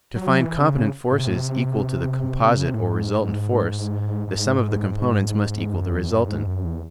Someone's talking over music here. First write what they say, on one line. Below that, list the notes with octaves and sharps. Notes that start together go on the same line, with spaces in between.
To find component forces equal to the composite or resultant force, the sum of the components must equal the resultant.
F#3
E3
C3
C#3
A2
C3
A2
C3
C#3
C3
A2
G#2
G#2
F#2
E2
E2
F#2
G#2
F#2
E2